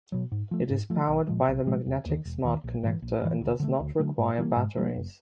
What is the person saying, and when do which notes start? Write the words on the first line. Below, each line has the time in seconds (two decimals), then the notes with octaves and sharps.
It is powered by the magnetic Smart Connector and does not require batteries.
0.12 B2 F#3
0.32 G#2
0.51 F3 A3
0.70 G#2
0.90 F3 A3
1.08 B1
1.28 A#2 F3 G#3
1.48 B1
1.66 A#2 F3 G#3
1.86 E1
2.06 D#2 D#3
2.25 E1
2.44 D#2 D#3
2.64 A#1
2.83 G#2 E3
3.02 A#1
3.22 G#2 E3
3.41 D2
3.60 D3 F#3 A3
3.80 D2
3.99 D3 F#3 A3
4.18 G#2
4.38 E3 G3 A#3
4.56 G#2
4.77 E3 G3 A#3
4.96 F#1